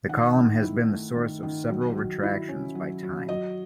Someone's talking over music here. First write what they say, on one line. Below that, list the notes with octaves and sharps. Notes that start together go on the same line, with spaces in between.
The column has been the source of several retractions by "Time".
D#3 F#5
D#3
E4
A3
D#3
D#3
F#3
F#3
E4
C#4
F#3
F#3
F#3 D#5